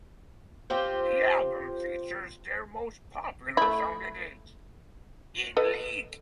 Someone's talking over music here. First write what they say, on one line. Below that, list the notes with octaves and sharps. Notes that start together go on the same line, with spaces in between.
The album features their most popular song to date, "In League".
C4 F4 G4 C5
A3 E4
A4 B4 D#5